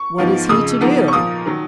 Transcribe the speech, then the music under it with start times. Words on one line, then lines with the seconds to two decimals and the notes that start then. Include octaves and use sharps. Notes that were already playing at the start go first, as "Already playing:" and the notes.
What is he to do?
Already playing: C#6
0.18 G#2 F3 B3 F4
0.49 F2 C#3 G#3 D#6
0.81 G#2 F3 B3 D#4
1.08 C#6
1.13 A#2 F3 A#3 F4 D#6
1.46 D#3 F#3